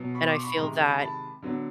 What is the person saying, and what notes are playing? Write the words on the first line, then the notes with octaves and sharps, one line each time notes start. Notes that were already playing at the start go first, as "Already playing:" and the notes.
And I feel that
Already playing: B2 F#3 B3
B5 C#6
C6 D6
B5 C#6
C3 D#3 G#3 A#5 C6
A5 B5
A5 B5
D3 F#3 B3